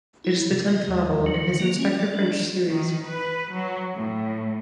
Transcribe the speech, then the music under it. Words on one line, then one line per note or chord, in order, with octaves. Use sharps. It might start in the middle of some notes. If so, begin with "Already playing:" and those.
It is the tenth novel in his Inspector French series.
E4
C3
D#5
D#2
F#3
A#3
C#4
D5
D4
D#3
B4
F#3
A2